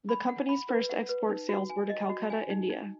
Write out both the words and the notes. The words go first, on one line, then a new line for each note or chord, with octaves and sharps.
The Company's first export sales were to Calcutta, India.
B5
F#5
B5
B4
F#5
B4
D#4
F#4
G#5
D#5
F#4
G#5
D#4
D#4